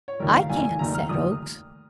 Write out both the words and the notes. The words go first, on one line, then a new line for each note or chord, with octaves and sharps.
"I can," said Oakes.
C#5
F1 D#2 D#3 A#4
F5
F1 D#2 D#3 G#5
G#5
F1 D#2 D#3 A#5
F6
F1 D#2 D#3 D#6